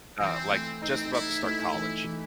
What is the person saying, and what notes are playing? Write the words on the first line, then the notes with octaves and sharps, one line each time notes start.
uh, like, just about to start college,
E3 C4
A3
C4 D#4
D#4 E4
A3 E4
E3
E3